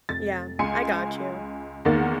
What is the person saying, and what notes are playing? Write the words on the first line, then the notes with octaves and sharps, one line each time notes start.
Yeah. I got you.
F1 A6
C#2 G#5 C6 C#7
E2 D#3 A#3 F#5 A6